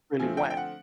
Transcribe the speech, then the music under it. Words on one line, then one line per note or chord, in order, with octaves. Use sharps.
really went,
D3 F3 A3 C4 G#5
G5
G5
F#5